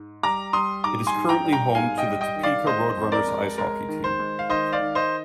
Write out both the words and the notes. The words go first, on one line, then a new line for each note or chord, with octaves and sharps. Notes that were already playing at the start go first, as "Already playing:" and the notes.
It is currently home to the Topeka Roadrunners ice hockey team.
Already playing: G#2
G3 A#5 D6
G3 C6 D#6
G#2 A#5 D6
G#5 C6
G#2
G5 A#5
G3
G5 A#5
G#2 F5 G#5
D#5 G5
G3
D#5 G5
D#3
D5 F5
G#3 C5 D#5
F2
A#4 D5
G#3
G#3 A#4
D#3
C5
G#3
F5
D#3 C5 D#5
D5 F5
D#3
C5 D#5